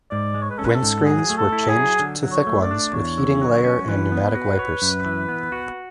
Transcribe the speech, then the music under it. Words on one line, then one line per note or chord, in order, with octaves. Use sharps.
Windscreens were changed to thick ones with heating layer and pneumatic wipers.
G#2 D5
G#3
C#5
B4
C#4 A4
B4
A4
G#2
F#3 G#4
A3
A4
E4
G#4
F#3
D3
F#3
C#5
A3
D5
D4
E2 C#5
D3
F#3
C#4
E3 B4
B3
F#4
C#5
F#2
E3
B3
F#4